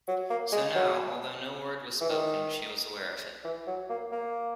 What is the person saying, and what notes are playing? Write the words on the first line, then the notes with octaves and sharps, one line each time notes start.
So now, although no word was spoken, she was aware of it.
F#3
A#3
G#3
F#3
E3
D#3
E3
F#3
A#3
A#3